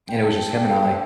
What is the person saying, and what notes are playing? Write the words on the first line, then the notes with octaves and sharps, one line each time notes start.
and it was just him and I,
G5
A5
G5
D5 G5
A4
C5